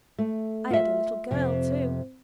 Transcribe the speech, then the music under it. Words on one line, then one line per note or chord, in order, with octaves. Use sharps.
I had a little girl, too.
A3
F4 E5
F2 C3